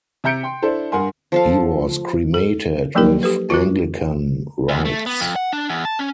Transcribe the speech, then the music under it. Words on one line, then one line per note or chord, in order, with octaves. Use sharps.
He was cremated with Anglican rites.
C3 E5 A#5 G6 C#7 D7
G5 C6
D4 E4 A4 C5
G2 A#4 F#5 G#5 C6
F3 A4 F5
A4
F3 F#3 A#3 D#4 G4 A#4
G4 A4 B4
F4 F#4 A#4
D2
A3
B3
F2
F#5
D4
E2
A5
C#4